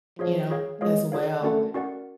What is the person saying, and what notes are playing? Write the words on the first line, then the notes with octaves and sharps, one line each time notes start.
you know, as well,
F3 F4 G#4 C#5 F5
F4 G#4 C#5 F5
G#3 F4 G#4 C#5 F5
F4 G#4 C#5 F5
A3 C#4 F#4 A#4 D5 F#5
C#4 F#4 A#4 D5 F#5